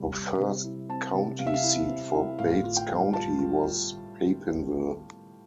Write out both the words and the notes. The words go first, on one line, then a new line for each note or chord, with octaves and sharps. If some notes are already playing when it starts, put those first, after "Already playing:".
The first county seat for Bates County was Papinville.
Already playing: C3 G3
G3
C3
E4
C4 A5
C3
C3 F5
E5
F5
E4
C3
E4
A2 F5
F4
G5
G3
F4 A5
F4
F4